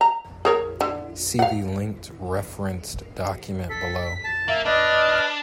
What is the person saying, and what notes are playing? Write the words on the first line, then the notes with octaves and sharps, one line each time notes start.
See the linked referenced document below.
A#5
G#4 A#4 C#5
D3
F5 F#5
A4 B6
A5
A#3 E5
D4 B4 D5 D#5 F6